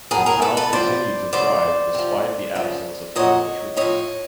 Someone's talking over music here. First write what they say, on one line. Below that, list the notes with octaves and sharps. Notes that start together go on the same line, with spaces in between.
The town continued to thrive despite the absence of federal troops.
A2 F#3 G#4 A#4
G#4 A#4
A4 B4
A4 B4
A2 F3 C5 D5
C#3 F#3 C5 D5
C3 F3
C#3 F3
A#2 F#3 C#5 D#5
A2 F3 C#5 D#5